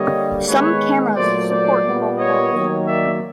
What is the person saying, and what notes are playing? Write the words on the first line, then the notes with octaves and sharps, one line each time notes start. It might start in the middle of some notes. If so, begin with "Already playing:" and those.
Some cameras support both modes.
Already playing: D3 G3 A#3 C#5 D#5
D#3 G#3 B3 B4 C#5
A#2 F#3 A3 C5 D5
C5 D5
A#2 G3 B3
C#5 D#5
D#3 F#3 A#3
D5 E5